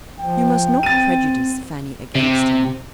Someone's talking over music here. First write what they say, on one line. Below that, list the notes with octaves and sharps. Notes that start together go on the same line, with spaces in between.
You must not prejudice Fanny against him.
F3 G5
C4 A6 D#7
C3